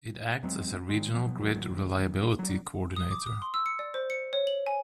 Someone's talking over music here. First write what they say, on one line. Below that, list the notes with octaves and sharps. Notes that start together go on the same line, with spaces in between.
It acts as a regional grid reliability coordinator.
E2 F#3 G#3 C4
D#3 G#3
B2 F3 F#3 B3
G#1 D2 D#3 F#3
F#3 G3
D#6
D6
D#6
C6
E6
C#7
D5
C5
C#7
C#5
F#7
G#5